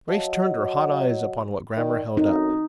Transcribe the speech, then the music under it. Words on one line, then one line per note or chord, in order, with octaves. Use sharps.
Grace turned her hot eyes upon what Grammer held up.
F#3 D#5 F5 A5
D#5 F#5
D#3 D5
F#2 C4 D#4 F#4 A4